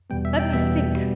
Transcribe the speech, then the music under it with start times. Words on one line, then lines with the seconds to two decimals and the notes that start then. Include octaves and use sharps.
"Let me think."
0.10 E2 B2 G3 B3 G5
0.25 E5
0.39 G5
0.53 E2 B2 G3 B3 E5
0.96 B2 G3 B3